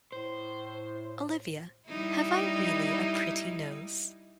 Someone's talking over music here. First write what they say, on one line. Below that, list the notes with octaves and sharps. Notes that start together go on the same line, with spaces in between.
Olivia, have I really a pretty nose?
A2 C5
G3 D#4 E4